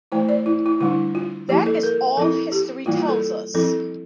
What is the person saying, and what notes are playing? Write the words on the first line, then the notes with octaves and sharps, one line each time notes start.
That is all history tells us.
E3 A3 E4 C5
D5
E4
E4
D3 G3 D4 E4
F4
F3 A#3 E4 G4
A4
A#4
F3 C4 E4 A4
G4
E3 G3 A#3 E4 F4
F4
A4
F3 C4 E4 A4